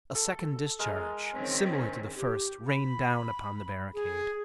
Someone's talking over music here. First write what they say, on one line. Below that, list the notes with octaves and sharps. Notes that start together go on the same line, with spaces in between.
A second discharge, similar to the first, rained down upon the barricade.
A4
G#3 A#4
D#3 C4 C#4
G4
B5
G#4